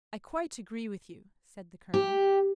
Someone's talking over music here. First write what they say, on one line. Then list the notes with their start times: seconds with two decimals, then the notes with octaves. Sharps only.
"I quite agree with you," said the Colonel.
1.94 G4